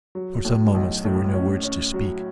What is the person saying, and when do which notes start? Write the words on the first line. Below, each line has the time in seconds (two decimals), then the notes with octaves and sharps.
And for some moments there were no words to speak.
0.15 F#3
0.45 A2
0.75 B1
1.05 A2
1.34 C#4
1.63 C#4
1.94 F#3